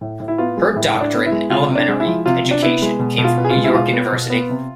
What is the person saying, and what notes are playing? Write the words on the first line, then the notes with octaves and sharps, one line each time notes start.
Her doctorate in elementary education came from New York University.
A2
A2
E4
B3 F4
G#3
A2 E4
A2
D4
B3
E4
G#3
C3 F4
C3
D4
G#3
E4
F3
C3 F4
C3
D4
B3 E4
G#3
B2
B2
F4
B3
G#4
F4
G#3
E4
B2 F4
B3
B2
B3
C3